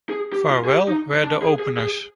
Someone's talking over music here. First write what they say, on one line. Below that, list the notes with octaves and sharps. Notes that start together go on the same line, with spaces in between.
Farewell were the openers.
G#4
G4
F4
G#4
G4
D#4
D4
G#4
G#4
G#4